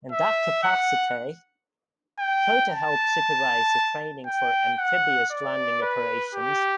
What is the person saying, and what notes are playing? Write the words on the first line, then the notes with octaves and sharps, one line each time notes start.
In that capacity, Cota helped supervise the training for amphibious landing operations.
E5
F#5
G5
A5
G5
F#5
D5
B4
G4